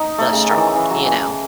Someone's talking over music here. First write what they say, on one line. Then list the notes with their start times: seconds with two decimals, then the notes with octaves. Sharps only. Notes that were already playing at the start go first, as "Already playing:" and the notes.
the straw, you know?
Already playing: D#4
0.18 A3
0.32 C#3
0.49 D#3
0.55 E3
0.76 E3
0.90 F#3
1.04 E3